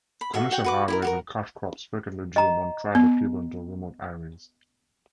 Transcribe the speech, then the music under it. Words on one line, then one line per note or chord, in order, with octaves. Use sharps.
Commercial highways and cash crops frequently drew non-tribal people into remote areas.
B5
F#4 A4 E5 F5
F#4 F#5 G5
F#4 B4 D6
E4 G4 A#4
F#4 G4 A#4
D#5 A#5
B3